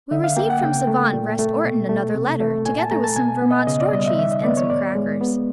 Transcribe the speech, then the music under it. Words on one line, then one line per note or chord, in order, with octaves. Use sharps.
We received from savant Vrest Orton another letter, together with some Vermont store cheese and some crackers.
D3 E5
F5
A#3 G5
F#5
C#3 G5
A3
A#2
A3
B2
A3
C3
A3
A#2 G#5
A5
A3 A#5
A5
B2 G#5
B3
D#5
C#3 D#5
D5
G3 D#5
E5
D#3 E5
D#5
B3 D5
C#5
A2 D5
G#3
B3